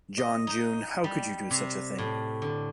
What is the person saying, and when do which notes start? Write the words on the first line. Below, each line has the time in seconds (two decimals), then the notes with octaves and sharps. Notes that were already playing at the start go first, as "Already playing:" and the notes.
John June, how could you do such a thing?
0.18 D#5
0.47 D#4
1.04 G3
1.51 C3
1.98 A2
2.42 D3